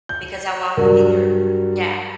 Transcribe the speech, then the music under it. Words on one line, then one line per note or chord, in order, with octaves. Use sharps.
because I walk with either Yeah,
G6
G2 F#3 G3 A#4